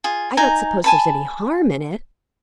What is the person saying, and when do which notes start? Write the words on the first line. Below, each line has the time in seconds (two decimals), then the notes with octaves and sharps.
"I don't suppose there's any harm in it."
0.04 F4 G#4
0.37 D#4 G#5 A#5
0.84 G#5 A5 B5